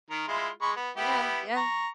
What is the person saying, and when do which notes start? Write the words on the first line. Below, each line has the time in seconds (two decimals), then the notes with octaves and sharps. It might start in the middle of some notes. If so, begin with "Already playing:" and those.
Yeah, yeah.
0.10 D#3 A#4
0.28 G#3 E4 F4
0.62 G#3 B5 C#6
0.76 B3
0.97 B3 E4 G4
1.56 A#5 C#6